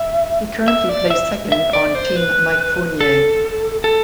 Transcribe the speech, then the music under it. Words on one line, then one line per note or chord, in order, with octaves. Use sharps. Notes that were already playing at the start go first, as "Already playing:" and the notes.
He currently plays second on Team Mike Fournier.
Already playing: E5
E5
D5
E5
E5
D5
C5
B4
A4
A4